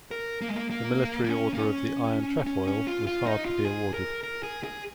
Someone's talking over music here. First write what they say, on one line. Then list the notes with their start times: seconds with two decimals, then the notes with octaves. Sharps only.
The Military Order of the Iron Trefoil was hard to be awarded.
0.11 A#4
0.42 A#3
0.48 G#3
0.56 A#3
0.71 A#3
1.24 A#3
1.30 C#4
1.54 A#3
1.59 C#4
2.47 C#4
2.67 C#4
2.87 F4
3.07 F4
3.26 D#4
3.45 F4
3.65 G#4
3.94 A#4
4.23 A#4
4.43 G#4
4.64 G#4